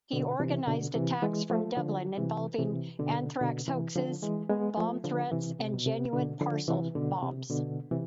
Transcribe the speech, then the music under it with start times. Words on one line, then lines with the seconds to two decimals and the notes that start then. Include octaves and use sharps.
He organised attacks from Dublin involving anthrax hoaxes, bomb threats, and genuine parcel bombs.
0.13 B2 D3
0.40 C3 E3
0.67 B2 D3
0.95 C3 E3
1.23 E3 G#3
1.50 F3 A3
1.77 D3 F3
2.18 C3 E3
2.59 C3 E3
2.99 B2 D3
3.41 B2 D3
3.68 C3 E3
3.95 D3 F3
4.23 E3 G#3
4.50 G#3 B3
4.77 F3 A3
5.04 D3 F3
5.32 C3 E3
5.59 C3
5.74 B2
5.86 C3
6.13 B2 D3
6.41 D3 F3
6.68 C3 E3
6.96 B2 D3
7.22 C3
7.50 B2 D3
7.91 C3 E3